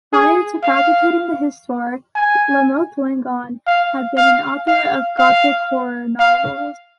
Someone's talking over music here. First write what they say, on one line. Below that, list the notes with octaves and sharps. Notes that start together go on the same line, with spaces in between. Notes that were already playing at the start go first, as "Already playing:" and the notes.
Prior to fabricating the "Histoire", Lamothe-Langon had been an author of gothic horror novels.
G#4
F5
G#5
F5
F5
F5
F5
F5